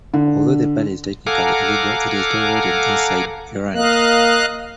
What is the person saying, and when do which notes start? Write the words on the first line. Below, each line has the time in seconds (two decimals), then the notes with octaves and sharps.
Although the party is technically illegal, it is tolerated inside Iran.
0.14 D3
1.27 A4 F5 F#5 G#5 A#5 D6
3.75 A#3 D#5 F5 F#6